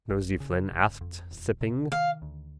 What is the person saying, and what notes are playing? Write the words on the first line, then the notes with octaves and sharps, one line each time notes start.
Nosey Flynn asked, sipping.
G1
C#3
G1
F2
E1
C3
D#3 F5
D2